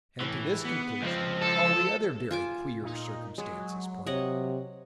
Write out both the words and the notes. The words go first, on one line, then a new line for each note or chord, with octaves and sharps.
And to this conclusion all the other very queer circumstances pointed.
A2 E3
B3
C#2 F3 C4
A4
F4 G#5 D6
A#2 D#4
F#3 G#3
C3 C#5 D#5 F#5